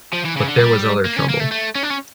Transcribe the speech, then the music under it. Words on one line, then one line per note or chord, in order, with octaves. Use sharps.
But there was other trouble.
F3
E3
C#3
D3
G3
A#3
C#4
A#3
A3
A3
C#4
D4
C#4